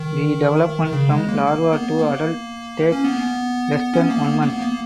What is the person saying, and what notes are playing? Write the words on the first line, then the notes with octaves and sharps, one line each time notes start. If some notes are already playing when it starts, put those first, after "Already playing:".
The development from larva to adult takes less than one month.
Already playing: D#3
D#3
C#3
G#3
A#3
A#3
B3
A#3
C#4
B3
C#4
B3
A#3
B3
A#3
B3
A#3